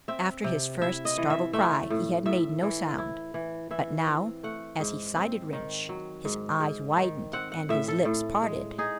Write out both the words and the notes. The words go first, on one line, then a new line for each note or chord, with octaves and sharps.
After his first startled cry he had made no sound, but now, as he sighted Rynch, his eyes widened and his lips parted.
C4 E5
C3
E4 E5
D#5
E3
E5
A3 E5
A2
A2 E5
E3
E4
E3
E3 E5
C4
A3 F#5
G#2
C4
D#3
F#3
G#2
G#2
D#3
C4 F#5
F#5
A2 E5
A4
A2
G#3
D#4 G#4